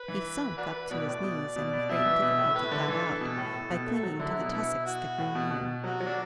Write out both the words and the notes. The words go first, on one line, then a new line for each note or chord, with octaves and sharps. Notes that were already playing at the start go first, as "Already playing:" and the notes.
He sunk up to his knees, and with great difficulty got out by clinging to the tussocks that grew near.
Already playing: B4
E3
D4 F#4 B4
B2 F#4 B4 D5
A2
B2
B2
B2
B2 E5
E3
B2
A2
A2 B4
D3
E3 A4
B2
A2
A2
B2
A3
F#3
D3 E4
F#3
B2
B3 E4
F#4
A2
B2
B2
F#3 F#4
F#3
D4